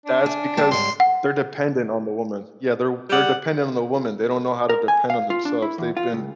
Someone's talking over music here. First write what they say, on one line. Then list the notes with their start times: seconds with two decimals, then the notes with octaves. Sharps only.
That's because they're dependent on the woman. Yeah, they're they're dependent on the woman. They don't know how to depend on themselves. They've been
0.06 D4
0.26 G#5
0.57 G3 C4 A5
0.71 G#2 G3 C#5 C6
1.00 F#5
3.10 G3 D5 F#5
4.69 A#4
4.88 G#5
5.10 F5
5.30 F4
5.45 D4
5.62 E4
5.78 E2
5.97 F4
6.13 C#2